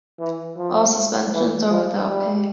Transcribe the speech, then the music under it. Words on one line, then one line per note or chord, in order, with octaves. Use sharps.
All suspensions are without pay.
E3
F3
E3
F3
G3